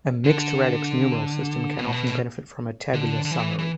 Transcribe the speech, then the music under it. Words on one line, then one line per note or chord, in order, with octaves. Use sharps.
A mixed radix numeral system can often benefit from a tabular summary.
D3
B2
A2
B2
D3
D3
E3
E3